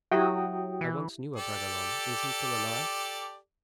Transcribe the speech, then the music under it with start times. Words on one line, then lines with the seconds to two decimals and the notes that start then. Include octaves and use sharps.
"I once knew a Bragelonne--is he still alive?"
0.11 F#3 E4 F#4 G4 E5 G5 D#6
0.81 E3
1.36 G4 A4 D5